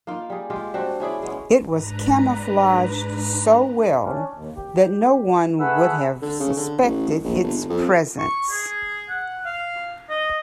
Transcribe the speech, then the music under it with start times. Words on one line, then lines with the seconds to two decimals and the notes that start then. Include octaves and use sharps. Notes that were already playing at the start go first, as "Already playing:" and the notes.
It was camouflaged so well that no one would have suspected its presence.
0.07 A#3 D#4 F4
0.30 G3 G#4
0.50 G#3 F4 G4
0.74 G3 C4 D4 F#4
1.00 C#4 E4 G#4 D5
1.23 G#3 B3 C#4
1.68 G#2 D4 B4 A#5
4.04 C#4 D4
4.35 D#2
4.56 G4
5.60 A3 G#4 B4 F#5 E6
6.22 D3
6.40 C#3
6.57 D3
6.82 A1
7.24 A#1
7.43 G1
7.57 G1
7.70 F2
8.19 C#6
8.51 G#4
9.09 F#5
9.45 F5
10.09 D#5